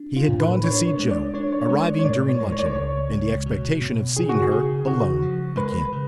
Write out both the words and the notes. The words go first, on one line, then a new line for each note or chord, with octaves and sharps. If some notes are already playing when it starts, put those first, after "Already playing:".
He had gone to see Joe, arriving during luncheon, in the expectation of seeing her alone again.
Already playing: D4
F4
A2
B4
D4 C#5
C#5
G#3
D5
D4 C#5
C#5
G#3 C#5
D5
C#5
A2 D5
C#5
G#3
C#5
D5
C#5
C#2
C#2
B2
B2
C#3 G#4
F#4
G#4
C#3
C#3 F#4
F3
G#3 B4
C#3